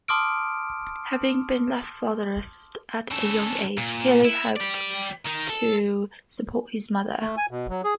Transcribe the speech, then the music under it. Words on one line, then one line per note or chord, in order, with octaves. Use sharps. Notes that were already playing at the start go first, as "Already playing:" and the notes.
Having been left fatherless at a young age, Healy helped to support his mother.
A5 C6 D6 D#6 F6 D7
C#3 A4
A#2
E4
G4 D5
D#3 D#4
A4
A3
G#5
B2
F#3
G#4